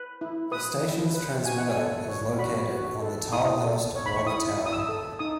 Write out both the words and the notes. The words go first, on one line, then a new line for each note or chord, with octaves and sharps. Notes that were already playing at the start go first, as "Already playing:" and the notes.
The station's transmitter is located on the Tilehurst Water Tower.
Already playing: B4
E4
B4 D#6
E4
B4
F#4 G#5
F#5
G#5
A4
C#5
F#4 B5
F#4
A4
E4 D#6
A4
C#5
B5
C#6
E4 D#6
E4
D#6
E6
A4
D#4 D#6